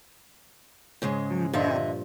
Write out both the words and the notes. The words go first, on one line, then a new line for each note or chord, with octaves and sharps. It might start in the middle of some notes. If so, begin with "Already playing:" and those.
Mm, yeah.
G#2 C#3 G#3
G2 A#2 D3 F3 D#5 E5